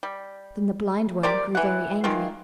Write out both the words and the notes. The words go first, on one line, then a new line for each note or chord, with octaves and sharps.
Then the Blindworm grew very angry.
G3
G4 A#4 C5 D5
E3 F#5
D#3 E3 F4 F5